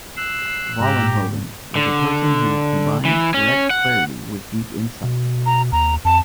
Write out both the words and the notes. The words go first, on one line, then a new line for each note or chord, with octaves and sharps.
Vollenhoven was a person who combined direct clarity with deep insight.
E6 F#6 C7
G#2 G4 A#5
D3
E3
C#4
F#5
B2
A#5
D#2 A#5
F2 A5